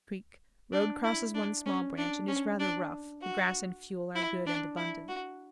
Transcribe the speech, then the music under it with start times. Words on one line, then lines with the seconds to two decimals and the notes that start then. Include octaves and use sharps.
Creek.--Road crosses one small branch, and is rather rough. The grass and fuel are good and abundant.
0.73 D4
1.04 E4
1.34 D4
1.66 C#4
1.98 D4
2.28 C#4
2.60 D4
3.22 F#4
4.15 E4
4.47 D4
4.77 E4
5.09 F#4